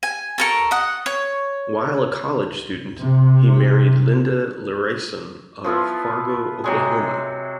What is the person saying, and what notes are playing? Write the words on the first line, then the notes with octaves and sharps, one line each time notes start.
While a college student, he married Linda Larason of Fargo, Oklahoma.
G#5
A4 A#4 C#6
D#5 F#5
C#5
C3
F3 B3 E4 F4
C3 F#3 G#3